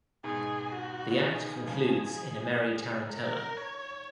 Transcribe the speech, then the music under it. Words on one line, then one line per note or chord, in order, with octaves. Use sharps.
The act concludes in a merry tarantella.
G#2 B2 G#4
F#4
C#3
B2 D#3 G#4
C#3 F3
A#4
C#5